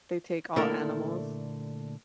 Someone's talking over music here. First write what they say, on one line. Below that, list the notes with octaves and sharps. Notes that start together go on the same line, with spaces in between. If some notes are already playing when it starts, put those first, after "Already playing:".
they take all animals.
A#2 D3 A3 E4 A#4